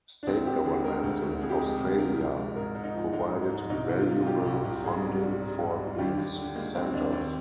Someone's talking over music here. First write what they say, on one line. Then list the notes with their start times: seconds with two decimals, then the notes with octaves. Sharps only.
State governments in Australia provided valuable funding for these Centres.
0.23 D4
0.27 D2 C4
0.46 D2 G4
0.65 D3 G#4
0.84 G#3 A#4
1.03 D2
1.23 D2
1.41 F2 G#4
1.49 G4
1.58 G#3 G#4
1.80 C3
1.98 F3 A#4
2.18 F2
2.37 G#3
2.56 G#2 A#4
2.75 G#2
2.84 D#4
2.94 F3
3.13 G#3 D#4
3.31 G#2
3.51 G#2
3.70 C2 D#4
3.89 C2
3.98 F4
4.08 C3
4.22 F4
4.26 G3 G4
4.46 C2
4.65 C2
4.84 G#2 G#4
5.03 G3
5.23 G3
5.41 G#2
5.60 G#2
5.79 G3
5.95 F4
5.98 D#2 G4
6.17 D#2
6.36 D3
6.56 G#3 A#3
6.74 D#2 C4
6.85 D#4
6.93 D#2 D4
7.12 D#2 C4